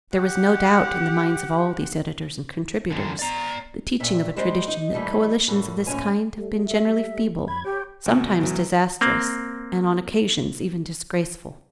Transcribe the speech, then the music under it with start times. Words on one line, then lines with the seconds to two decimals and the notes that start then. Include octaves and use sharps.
There was no doubt, in the minds of all these editors and contributors, the teaching of a tradition that coalitions of this kind have been generally feeble, sometimes disastrous, and on occasions even disgraceful.
0.16 G4 F#5
2.91 F#2 D3
3.19 D5 A#5
4.00 G2 A#2 E5
4.36 G3 G#3 C4 G4 C5
4.68 D#4
4.93 D#2 E3 G3 A3 D#4
5.48 F#2 A2 G3
5.87 D#2 A2 F3 C#4 C#5 G#5
6.38 G3 A3
6.65 E5
7.48 F2 B5 G#6
7.65 G4 C#5 G5
8.06 D2 B2
8.41 E3 F#3
9.01 A#3 C4